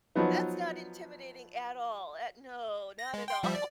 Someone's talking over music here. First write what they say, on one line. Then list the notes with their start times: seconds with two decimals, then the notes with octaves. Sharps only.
That's not intimidating at all. At no. Not at all.
0.16 F3 F#3 B3 D#4
2.99 A#6
3.14 G#3
3.28 G5 C6
3.43 F3 G3 E5
3.55 D5